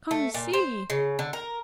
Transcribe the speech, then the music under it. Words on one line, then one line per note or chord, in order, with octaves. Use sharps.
"Come, see!"
A3
A#2
C5
C#3
D3
A#4